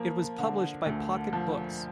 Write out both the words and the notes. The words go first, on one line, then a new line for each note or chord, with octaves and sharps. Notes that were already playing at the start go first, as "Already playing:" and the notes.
It was published by Pocket Books.
Already playing: F3 A#3
D3
D2
F3